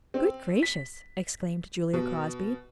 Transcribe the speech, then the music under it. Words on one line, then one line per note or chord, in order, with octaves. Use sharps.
"Good gracious," exclaimed Julia Crosby.
C4
B6
B2